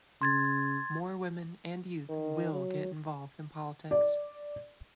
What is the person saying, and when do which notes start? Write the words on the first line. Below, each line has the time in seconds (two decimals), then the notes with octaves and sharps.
More women and youth will get involved in politics.
0.22 C#3 C6 G#6 A6
2.09 D#3
2.53 F#3
3.91 D5